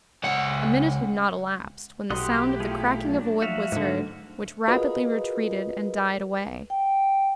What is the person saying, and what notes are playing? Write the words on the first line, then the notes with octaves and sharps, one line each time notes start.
A minute had not elapsed, when the sound of the cracking of a whip was heard, which rapidly retreated and died away.
C#2 F#5
B1 A#3 E4 G4 F#5 C6 D#6
A3 F4 G#4
F#3 A#3 D4
F3 F#3 A3 F#4 E5 F5
G#2 D3 A3
F4 F#4 G#4 A#4 B4 D#5
G5